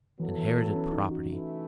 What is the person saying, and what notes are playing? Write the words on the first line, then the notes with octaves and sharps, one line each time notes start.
Inherited property!
E3 F#3 B3 E4 A4
E3
C#4
D#4
F#4
E3 A3 E4